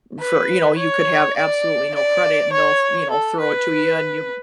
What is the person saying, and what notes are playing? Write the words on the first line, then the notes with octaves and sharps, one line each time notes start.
for, you know, you could have absolutely no credit, and they'll, you know, throw it to ya, and you
B4
C#5
D5
D5
C#5
A4
B4